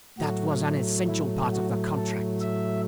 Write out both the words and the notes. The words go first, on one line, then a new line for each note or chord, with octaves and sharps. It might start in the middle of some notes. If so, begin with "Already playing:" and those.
That was an essential part of the contract.
A2 F#3 A3 F#4
E4
F#4
A4
E5